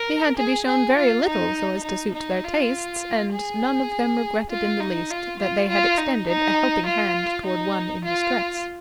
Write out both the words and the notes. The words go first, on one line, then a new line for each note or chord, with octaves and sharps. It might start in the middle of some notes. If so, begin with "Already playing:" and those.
He had to be shown very little so as to suit their tastes; and none of them regretted in the least that they had extended a helping hand toward one in distress.
Already playing: A#4
G#4
G#4
F4
D#4
D#4
D#4
F4
G#4
F4
D#4
F4
F4
F4
D#4
D#4
F4
D#4
F4